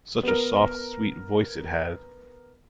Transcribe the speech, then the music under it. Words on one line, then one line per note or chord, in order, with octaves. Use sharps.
Such a soft sweet voice it had!
B3 A#4